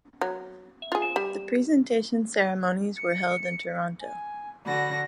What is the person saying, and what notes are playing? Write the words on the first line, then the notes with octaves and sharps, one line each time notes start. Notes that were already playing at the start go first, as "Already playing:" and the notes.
The presentation ceremonies were held in Toronto.
F#3
F4 G#4
G3
C#7
G#5
D3 F#4 B5 A#6